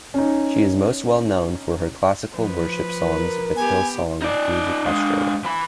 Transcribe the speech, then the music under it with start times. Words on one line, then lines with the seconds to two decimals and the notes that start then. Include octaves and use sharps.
She is most well known for her classical worship songs with Hillsong Music Australia.
0.14 C#4 D#4
2.34 F3 B4
2.99 A#4
3.56 B3 G4 G#5
4.22 D#4 D5
4.85 G#3 D4
5.44 E3 B5